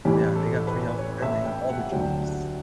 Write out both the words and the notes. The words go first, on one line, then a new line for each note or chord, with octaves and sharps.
Yeah, they got free healthcare, and they have all the jobs.
A1 A2 E3 G4
A4
B4
C#5
E5
G5
G5
F#5
D2 D3 F#3 G5
F#5